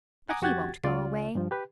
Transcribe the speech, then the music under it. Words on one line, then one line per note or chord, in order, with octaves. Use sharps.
But he won't go away.
F#5 G#5 A#5 D6 D#6
F2 F#4 G4 F#5 G#6 A6
C#2 C#3 F4 D5
G2 F3
G4 B4